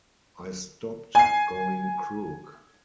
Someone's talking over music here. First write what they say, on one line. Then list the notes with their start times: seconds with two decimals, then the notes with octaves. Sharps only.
I stopped going crook.
1.15 G#5 C7